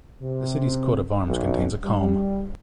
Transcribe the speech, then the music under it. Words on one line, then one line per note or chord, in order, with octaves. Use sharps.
The city's coat of arms contains a comb.
C3
B1
G3